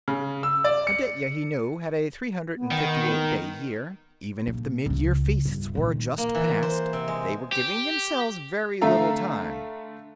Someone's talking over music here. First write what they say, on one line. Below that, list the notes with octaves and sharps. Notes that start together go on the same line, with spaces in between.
Aditya, he knew, had a three hundred and fifty-eight day year; even if the Midyear Feasts were just past, they were giving themselves very little time.
C#3
E6
D5
C#7
B3
D#3
A#2
C#2 C#3
G1
A#2 D#3
A#3
E3
C5
C3
G#3
G4
D3 A3 A4 E5 F5 A#5